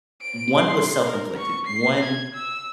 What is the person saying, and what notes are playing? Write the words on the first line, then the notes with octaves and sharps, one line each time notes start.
one was self-inflicted. One,
D7
C6
A#4
C#6
C7
G#6
E6